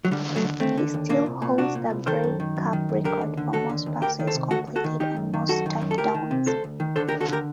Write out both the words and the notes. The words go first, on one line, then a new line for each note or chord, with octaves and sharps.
He still holds the Grey Cup record for most passes completed and most touchdowns.
F#3
D3 G3
D#2
F#3 A3
D3
D#2 A3 C4
D3
D#2
A#2 A#3 D4
C2
A#2
C2 D4 F#4
A#2
C2
D#3 A4 C5
F#2
D#3
F#2
D#3
F#2
D3 G4 A#4
D#2
D3
D#2 F#4 A4
D3
D#2
D2 G4 A#4
D#3
A4 C5
C3
D2 F#4 A4
D2
F#4 A4
D#3
D#3 D#4 G4
F#2
D#3
F#2 F#4 A4
D#3
F#2
A4
D2 G4 A#4
D#3
C3
D2 A4 C5
D2
D#3
D3 A4 C5
G4 A#4
D#2
F#4 A4
D3 G4 A#4